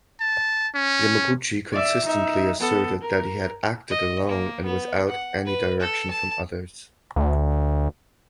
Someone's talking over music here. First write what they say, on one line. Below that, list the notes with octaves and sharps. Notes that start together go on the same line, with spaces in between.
Yamaguchi consistently asserted that he had acted alone and without any direction from others.
A5
C#4
D5 E5
D#4 E5
B3 A4
A#4
D#5
A#3
B3
F#5
B4
A4
A5
D2